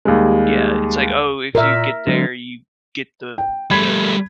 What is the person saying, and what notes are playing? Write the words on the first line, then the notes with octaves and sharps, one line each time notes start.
Yeah, it's like, "Oh, if you get there, you get the the
D#2 G3 G#3
A#2 A#4 E5
D3 F#3 G#3 C4
G5
G3 A3 B5 G#6 B6